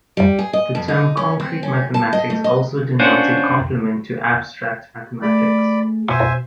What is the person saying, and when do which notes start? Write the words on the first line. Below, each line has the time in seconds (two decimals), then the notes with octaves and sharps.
The term "concrete mathematics" also denotes a complement to "abstract mathematics".
0.17 G3
0.39 G#4
0.53 D#5
0.75 F2
0.88 D#4
1.17 C#4
1.40 C4
1.63 C#4
1.94 A5
2.13 D#5
2.30 A3
2.44 D#5
3.00 C#4 D4 F4 F#4 C5 C#5
5.22 A3 G#4 D5 B5
6.09 B2 C5 E5 G#5